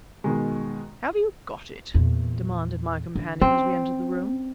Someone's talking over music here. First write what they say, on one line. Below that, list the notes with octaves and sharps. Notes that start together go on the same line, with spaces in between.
"Have you got it?" demanded my companion as we entered the room.
B2 D#3 G#3
E2 A#2
D3
C4 C#4